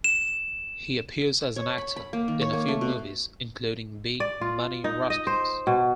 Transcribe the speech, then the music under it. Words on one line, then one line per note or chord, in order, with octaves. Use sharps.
He appears as an actor in a few movies, including "Big Money Rustlas".
E7
C#5
B5
B5
A#3
D#3
C#5
A#3
A3
B2
D5
F4
D#4
D#5
C5
B2